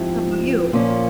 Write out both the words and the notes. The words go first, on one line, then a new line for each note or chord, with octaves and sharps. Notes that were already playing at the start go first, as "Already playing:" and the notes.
How 'bout you?
Already playing: G#2 F3 C4 E4 G4
A#2 F3 A#3 C#4